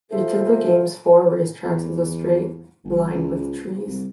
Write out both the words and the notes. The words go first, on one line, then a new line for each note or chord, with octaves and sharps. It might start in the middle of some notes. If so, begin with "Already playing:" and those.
Each of the game's four race tracks is a straight lined with trees.
F4 A4 C5 E5
E2
G1
C#2
C2